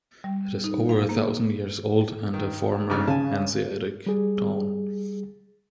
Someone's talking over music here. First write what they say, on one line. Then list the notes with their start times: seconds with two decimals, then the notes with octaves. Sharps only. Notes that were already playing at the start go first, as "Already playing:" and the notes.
It is over a thousand years old and a former Hanseatic town.
0.24 G3
0.64 D#4
0.89 F5
1.09 A#3
2.34 D#3
2.90 F2 G#2 C#3
3.08 C#3 G#5 A5
4.06 G3 G#4